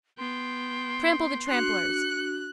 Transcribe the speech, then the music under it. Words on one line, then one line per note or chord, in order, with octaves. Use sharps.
Trample the trampellers.
B3 G5 C6
D4 F#4 F#6 C#7